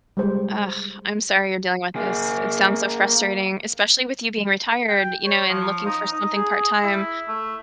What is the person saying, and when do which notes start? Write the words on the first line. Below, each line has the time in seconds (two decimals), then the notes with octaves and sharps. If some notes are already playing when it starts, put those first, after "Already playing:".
Ugh, I'm sorry you're dealing with this it sounds so frustrating, especially with you being retired, you know, and looking for something part-time.
0.17 G3 G#3 C5
1.96 A#3 G#4
4.89 G5
5.26 C#5
5.49 F3
5.86 D#4
6.13 D#4
6.36 G#4
6.84 E4
7.28 A3